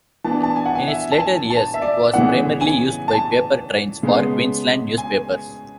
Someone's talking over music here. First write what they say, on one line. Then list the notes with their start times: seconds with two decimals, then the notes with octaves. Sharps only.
In its later years, it was primarily used by paper trains for Queensland Newspapers.
0.24 E3 B3 D4 A5
0.43 A5
0.56 G#5
0.66 F#5
0.75 G#5
0.87 E5
1.12 A5
1.19 G#5
1.50 A5
1.74 E5
1.82 D5
2.13 C#3 E3 B3 F#5
2.61 G#5
3.08 A5
4.03 C#3 G#3 B3
4.98 G#5